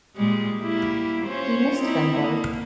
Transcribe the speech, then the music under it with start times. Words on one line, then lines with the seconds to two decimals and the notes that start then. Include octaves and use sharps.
He missed them both.
0.16 A#2 G3 G#3
0.61 G3 A#3 E4
1.26 C#4 F4 C5
1.80 C4 D#4 E4
2.19 A#3